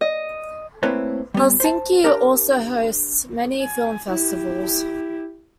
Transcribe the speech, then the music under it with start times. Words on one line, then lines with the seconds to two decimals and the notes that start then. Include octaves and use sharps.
Helsinki also hosts many film festivals.
0.01 D#5
0.83 A3 A#3 C4 E4 B4 C#5
1.34 G3 B3
1.60 C5 A5
2.04 D4 G4 A#4
3.62 G#5
4.08 E4 G4